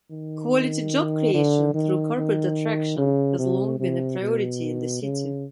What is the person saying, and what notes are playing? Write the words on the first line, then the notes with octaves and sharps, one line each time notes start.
Quality job creation through corporate attraction has long been a priority in the City.
D#3
D3
D#3
D#3
C#3
C3
C3
B2
C#3